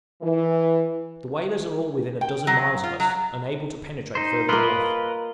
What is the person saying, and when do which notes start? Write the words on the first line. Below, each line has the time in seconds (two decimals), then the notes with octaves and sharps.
The whalers are all within a dozen miles of us, unable to penetrate further north.
0.22 E3
2.21 G5
2.47 F#3
2.84 F4
3.00 F#3
4.15 D#4 C5
4.49 A#3 F4 A#4 B4 D#5